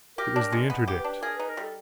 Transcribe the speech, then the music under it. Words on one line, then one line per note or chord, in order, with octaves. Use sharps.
It was the INTERDICT!
G4 A#4
D4
G#3
B3
G4
B4
D4
G#4 A#4
D#4 B4
A#4
G3 A4